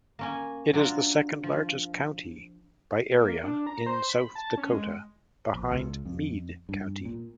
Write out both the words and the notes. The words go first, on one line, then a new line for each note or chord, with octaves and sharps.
It is the second-largest county by area in South Dakota, behind Meade County.
A#3 C#4 G#5
F#3 D4 F4
F3
A#3
D4
A#5
C5
B5
A5
C#4
G#3
A#1
C#2
F2
G2
A#2